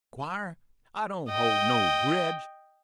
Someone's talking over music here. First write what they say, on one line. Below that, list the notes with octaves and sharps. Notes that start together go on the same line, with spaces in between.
Squire, I don't hold no gredge.
D#5 G5